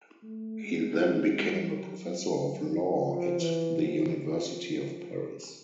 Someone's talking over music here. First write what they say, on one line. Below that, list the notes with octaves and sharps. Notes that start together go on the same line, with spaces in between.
He then became a Professor of Law at the University of Paris.
A3
G#3
G3
F#3
F#3
F3
E3
F3
F3